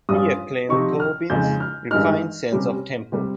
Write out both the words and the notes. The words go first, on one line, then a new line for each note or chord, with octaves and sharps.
He acclaimed Tobin's "refined sense of tempo".
G2 G3 C#4 F4 D#6
C3 F3 C4 D#4 C#6
F6
F2 C#3 G#3 D#4 G6
F6
G2 D#3 G#3 D#4 F6
C3 G3 C#4
C3 G3